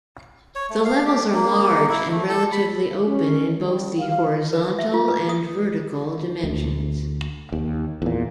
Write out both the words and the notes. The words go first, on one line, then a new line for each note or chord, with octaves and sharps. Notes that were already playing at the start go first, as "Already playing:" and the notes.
The levels are large and relatively open in both the horizontal and vertical dimensions.
C#5
A3
F5
G4
A#3
E4
A3
A4
B5
C#4
G3
F5
B4
E5
F4
B4
D#6
D2
D#2
E2 A#2